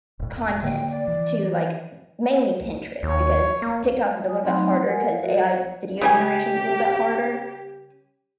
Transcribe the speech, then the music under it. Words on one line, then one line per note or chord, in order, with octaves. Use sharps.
content to, like, m mainly Pinterest, because TikTok is a little bit harder, 'cause AI video generation is a little bit harder,
E1 A2
D3 A#3 G5
D5
E3
D#2 C#5
A#3
G#5 D#6
F#3 A3 C4 D#4 B5 C6
D#6
A#4 F#5 G#5
A4 F5
F#4 A4 A#4 D#5
C#3 G3 G4 G#5